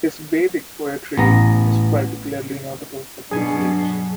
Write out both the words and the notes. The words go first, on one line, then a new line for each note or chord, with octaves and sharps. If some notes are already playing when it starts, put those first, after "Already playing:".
His Vedic poetry is particularly notable for two themes.
A1 B3 A#5
G2 B2 F#3 D4 G#4 G#5